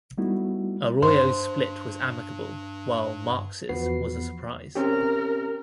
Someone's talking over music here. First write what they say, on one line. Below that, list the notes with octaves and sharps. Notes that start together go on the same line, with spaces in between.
Arroyo's split was amicable while Marx's was a surprise.
G3 A3 B3 D#4 E4 F#4
G2 C5
E2 F3 B3 F#4 B4 C7
C4 C#4 G4 A#4